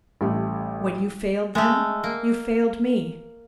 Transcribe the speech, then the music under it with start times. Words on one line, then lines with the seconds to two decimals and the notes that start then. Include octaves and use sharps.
When you failed them, you failed me.
0.21 A1 G3 A3
1.55 G#3 A3
2.04 A#3